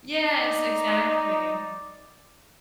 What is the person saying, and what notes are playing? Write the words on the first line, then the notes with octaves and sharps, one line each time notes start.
Yes, exactly.
D#4 D5